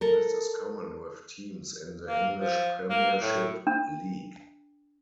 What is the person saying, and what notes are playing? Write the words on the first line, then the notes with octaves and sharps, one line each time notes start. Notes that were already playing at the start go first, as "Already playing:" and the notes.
This is common with teams in the English Premiership League.
A4 A#4
A#3
F3
A#3
A2
D4